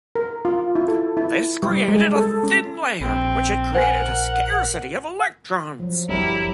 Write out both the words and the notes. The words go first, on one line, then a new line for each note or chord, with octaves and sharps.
This created a thin layer which had a scarcity of electrons.
A#4
F4
E4
A4
E4
G3
G#3
A4
C#4
A#1 C4
A#4 C5 F#5 G#5
F3 F#3
G1 D2 F#3 G3 E4 G4 A#4